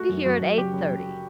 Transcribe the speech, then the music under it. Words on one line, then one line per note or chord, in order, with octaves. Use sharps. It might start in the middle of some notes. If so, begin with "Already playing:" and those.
Be here at eight-thirty.
Already playing: A3 F#4
F#2
F#2 F#4
F#2
F#1 G4
F#1
F#3